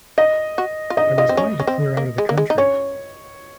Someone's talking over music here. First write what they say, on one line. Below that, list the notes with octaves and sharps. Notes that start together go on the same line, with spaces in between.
I was going to clear out of the country.
D#4 D#5
F#4
F4
D#4 D#5
F4 D#5
C4
C#4
C#4
C4
A#3
G#3
A#3
G#3
D#4
C#4 C#5